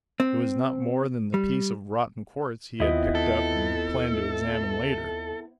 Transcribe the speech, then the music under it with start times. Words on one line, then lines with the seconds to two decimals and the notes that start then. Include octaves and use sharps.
It was not more than the piece of rotten quartz he had picked up and planned to examine later.
0.20 C4
1.34 G3
2.80 D#2 B3 C4 E4 F4 D#5
3.15 A4